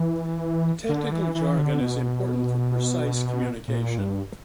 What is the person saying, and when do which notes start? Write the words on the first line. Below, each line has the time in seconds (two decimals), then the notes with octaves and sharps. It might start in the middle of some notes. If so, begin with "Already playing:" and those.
Technical jargon is important for precise communication.
Already playing: E3
0.89 D3
1.12 E3
1.35 E3
1.58 D3
1.81 B2
3.68 A#2
3.98 G2